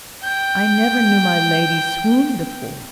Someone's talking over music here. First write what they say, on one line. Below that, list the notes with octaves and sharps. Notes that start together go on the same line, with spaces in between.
I never knew my Lady swoon before.
G5 G6